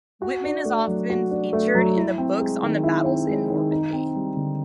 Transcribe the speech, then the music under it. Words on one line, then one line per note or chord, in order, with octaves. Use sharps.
Wittmann is often featured in the books on the battles in Normandy.
F#4
D4
A3
F#3
F#4
D4
A3
F#3
E4
C4
G#3
D#3
E4
C4
G#3
D#3
D#4
C4
G3
D3